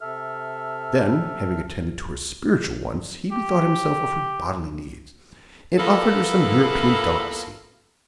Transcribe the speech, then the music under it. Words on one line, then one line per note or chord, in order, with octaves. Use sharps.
Then having attended to her spiritual wants, he bethought himself of her bodily needs, and offered her some European delicacies.
C3 A4 E5 F6
G4
G3 A#3 B3 E4 F4 A4